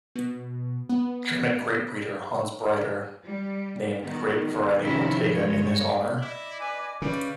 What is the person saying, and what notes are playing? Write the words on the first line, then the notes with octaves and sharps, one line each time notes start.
German grape breeder Hans Breider named the grape variety Ortega in his honor.
B2
B3
G3
D#3 B3
C3 D#3 F3 C#4 E4
G2 G#3 C#5
E4 D5 D#5 D6
B4 G#5
C#3 G3 B4